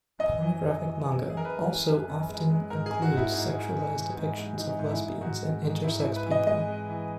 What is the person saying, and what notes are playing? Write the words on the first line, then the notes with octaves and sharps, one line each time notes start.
Pornographic manga also often includes sexualised depictions of lesbians and intersex people.
F#2 D#5
E3
F#2
E3
F#2
F#2
G#4
A#4
F#2 B4
E3
F#2
F#2
G#3
G#3
G#2 A#4
G#4
G#3
F#4
G#2
E4
G#2
G#3
G#3
E3
G#2
G#3
E3 D#4
G#2
E4
G#2
G#2 F#4
G#3
G#2
G#2 E4
E4
G#2
B4
E3
D#5
G#3 D#5
G#3
E3